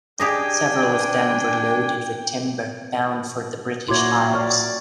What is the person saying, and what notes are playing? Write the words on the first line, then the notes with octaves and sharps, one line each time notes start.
Several of them were loaded with timber bound for the British Isles.
D4 G4 G#4 D#5 G5 G#5
A#2 E4 F#4 C#5 C6 D6 G#6
C#5 D5 C#6 F6